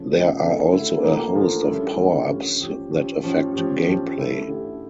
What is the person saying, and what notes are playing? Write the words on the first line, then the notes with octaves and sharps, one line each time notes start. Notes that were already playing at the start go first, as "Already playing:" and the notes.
There are also a host of power-ups that affect gameplay.
Already playing: C#3 F3 A3 C#4
C#3 F3 A3 C#4
D3 A3 E4
D3 A3 E4
D3 F3 A#3
D3 F3 A#3
D3 G3 C#4 E4
D3 G3 C#4 E4
F3 C#4 G4
F3 C#4 G4
F3 C#4 G4
F3 C#4 G4
F3 C#4 G4
F3 C#4 G4
D3 A3 E4 G4
D3 A3 E4 G4